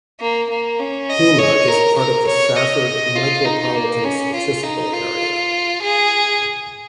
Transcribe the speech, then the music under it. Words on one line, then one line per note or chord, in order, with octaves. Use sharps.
Pima is part of the Safford Micropolitan Statistical Area.
A#3
A#3
C#4
D#5
C#5
A#4
A#4
C#5
D#5
F4
D#4
A#3
C#4
F4
D#4
F4
G#4